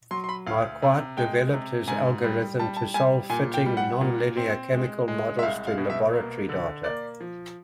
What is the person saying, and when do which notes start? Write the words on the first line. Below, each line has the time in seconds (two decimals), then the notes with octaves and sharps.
Marquardt developed his algorithm to solve fitting nonlinear chemical models to laboratory data.
0.11 F#3 C6
0.24 C6
0.29 B5
0.47 D2 F5
0.82 C3
1.17 G#3 G5
1.53 C3
1.88 G#2 G#5
2.24 G3
2.59 G3 A5
2.77 A5
2.94 G3 G#5
3.29 A#2 G#5
3.54 G5
3.66 G3
3.77 F#5
4.01 A#2
4.37 C4
4.72 G#3
5.08 G#3
5.39 E5
5.43 C2 F5
5.67 F5
5.78 B2
5.90 E5
6.13 A#3
6.49 D3
6.84 A#3 D5
7.21 F3